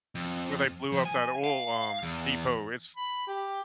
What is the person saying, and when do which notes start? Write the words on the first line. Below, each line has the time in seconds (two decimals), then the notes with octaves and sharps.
where they blew up that oil, um, depot. It's
0.15 F2
0.92 F3
1.05 G#5
1.44 F5
2.03 E2
2.97 B5
3.27 G4